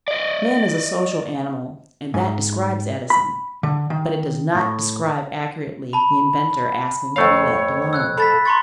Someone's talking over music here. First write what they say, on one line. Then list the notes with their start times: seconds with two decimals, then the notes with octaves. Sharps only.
Man is a social animal, and that describes Edison; but it does not describe accurately the inventor asking to be let alone.
0.08 D5 D#5
2.14 G#2
3.10 B5
3.63 D3
3.90 D#3
4.55 A2
5.93 A5 B5
7.16 F2 A3 C#5 F5
7.93 E6 F#6 G#6
8.18 A4 B5 A6 B6
8.45 A#5 C6 C#6 A6